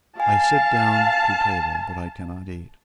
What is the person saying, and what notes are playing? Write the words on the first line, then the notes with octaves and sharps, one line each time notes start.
I sit down to table; but I cannot eat.
F5 G#5 A5